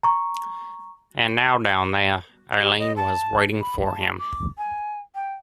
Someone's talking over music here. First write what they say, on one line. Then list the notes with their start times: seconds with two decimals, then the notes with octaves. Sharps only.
And now, down there, Eileen was waiting for him.
0.03 A#5 C#6
2.60 G4
2.79 D#5
2.97 A5
3.61 B5
3.85 A5
4.19 D6
4.58 G#5
5.15 G5